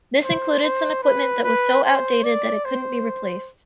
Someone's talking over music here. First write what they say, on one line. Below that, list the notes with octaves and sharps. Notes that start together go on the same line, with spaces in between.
This included some equipment that was so outdated that it couldn't be replaced.
C5
C5
B4
B4
C5
D5
C5